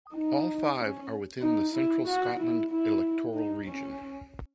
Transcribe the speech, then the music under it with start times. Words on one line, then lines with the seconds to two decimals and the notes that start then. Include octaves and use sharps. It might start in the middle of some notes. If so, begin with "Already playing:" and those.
All five are within the Central Scotland electoral region.
0.14 D#4
0.79 C#4
1.41 D#4
1.74 E4
2.06 F#4
2.38 E4
2.70 E4
3.34 D#4
3.65 C#4